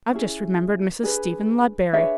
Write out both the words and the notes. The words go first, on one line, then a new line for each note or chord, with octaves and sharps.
I’ve just remembered Mrs. Stephen Ludberry.
C#4 E4 G#4
D4 G#4 B4
D4 G#4 B4 C#5 E5